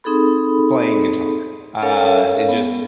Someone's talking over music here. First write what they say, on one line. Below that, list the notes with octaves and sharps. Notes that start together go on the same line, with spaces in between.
playing guitar. Uh, it just
C4 D#4 G#4 A4 B5
C#4 A4 A#4 C#5 F5
B3